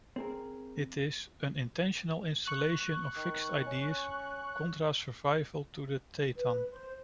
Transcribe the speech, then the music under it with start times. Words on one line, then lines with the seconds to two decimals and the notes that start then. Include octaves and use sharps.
It is "an intentional installation of fixed ideas, contra-survival to the thetan".
0.16 C4 G#4 A#4
2.45 C#6 F#6
3.16 D#3
3.66 C#4
6.36 B4
6.70 C5